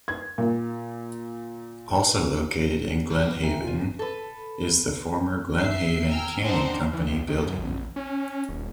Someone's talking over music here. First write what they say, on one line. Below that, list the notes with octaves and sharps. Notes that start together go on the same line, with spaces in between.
Also located in Glen Haven is the former Glen Haven Canning Company building.
G#6
A#2
G3 B4 F6 G6
E5 G5 G#5 A#5
E1 C3 D#4 F4
A4 B4
E5 C7
G5 G#5 A#5 E6 F6
C4 D4 D#4 A#4 C5 F#5
E3
C#2
D#3
F#2
A#1
C#4
C#4
D#1